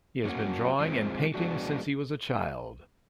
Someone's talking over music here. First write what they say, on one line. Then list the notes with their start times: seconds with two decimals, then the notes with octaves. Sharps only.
He has been drawing and painting since he was a child.
0.25 F#3 A#3 C#4 F#4
0.80 F3 G#3 C4
1.34 F3 G#3 B3 D4 F#4